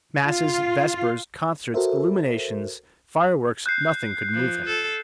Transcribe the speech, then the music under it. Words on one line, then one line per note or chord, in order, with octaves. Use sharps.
Masses, vespers, concerts, illuminations, fire-works--nothing could move him.
F4
F#4 A4 A#4 C5 E5
F#6 G6 C7
F3
A4